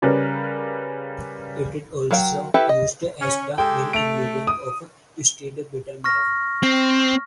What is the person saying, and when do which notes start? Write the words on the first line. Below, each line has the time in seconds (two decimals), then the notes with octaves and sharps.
It is also used as the main ingredient of "stewed bitter melon".
0.02 C#3 G3 C#4 A#4 B4
2.11 F#3 A#4 F5 G5
2.54 E4 G4 A4 B4 E5
2.69 D#5
3.21 C#4
3.58 G#3 G4 A4 G5
3.93 A3 D7 F7
4.47 D#6
6.04 C#6 F6 A#6
6.63 C4